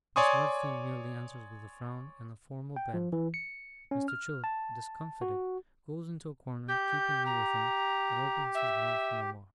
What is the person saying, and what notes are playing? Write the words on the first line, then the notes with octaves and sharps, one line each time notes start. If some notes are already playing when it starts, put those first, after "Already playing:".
Miss Murdstone merely answers with a frown and a formal bend: Mr. Chillip, discomfited, goes into a corner, keeping me with him, and opens his mouth no more.
C#5 D5 G#5 C6 C#6 D#6
G5
F3
E3
C#7
C#4
F6
A5
F#4
G4 G6
A#5
E5